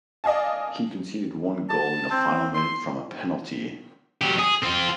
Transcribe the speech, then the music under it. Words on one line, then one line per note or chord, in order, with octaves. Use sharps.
He conceded one goal in the final minute from a penalty.
D5 D#5 F5 G#5 A5
A5
C4
C6
F#3 G4
G#4
C4 F4